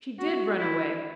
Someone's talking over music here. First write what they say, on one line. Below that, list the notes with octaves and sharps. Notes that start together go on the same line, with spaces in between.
She did run away.
F#4
E4